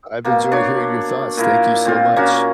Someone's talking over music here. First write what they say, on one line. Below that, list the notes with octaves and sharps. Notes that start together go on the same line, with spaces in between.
I've enjoyed hearing your thoughts. Thank you so much.
B2 A#3
D4 C#5
A#2 E4 A#4
A#2 C4 F4
A#3 C#4 F#4